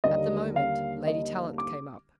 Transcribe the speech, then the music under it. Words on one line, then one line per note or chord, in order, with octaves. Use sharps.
At the moment, Lady Tallant came up.
D#2 D3 G3 A#3 D4 D#5
F5
D#5
D6